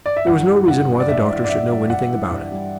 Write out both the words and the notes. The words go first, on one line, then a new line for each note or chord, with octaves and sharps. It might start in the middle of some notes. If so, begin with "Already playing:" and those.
There was no reason why the doctor should know anything about it.
D5
E5
G2 F#5
E3
G2 F#5
G3
D5
G2 E5
E3
D5
G2 E5
G3
G2 F#5
E3
G2
G3